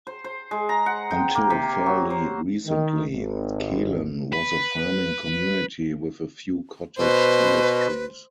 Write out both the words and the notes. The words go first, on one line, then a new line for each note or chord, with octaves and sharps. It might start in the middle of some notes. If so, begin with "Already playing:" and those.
Until fairly recently, Kehlen was a farming community with a few cottage industries.
C5
C5
G#3
A#5
F#5
G5
A#3
C3
F#3
C5
D#3
G#1
B4
B2 B4 C5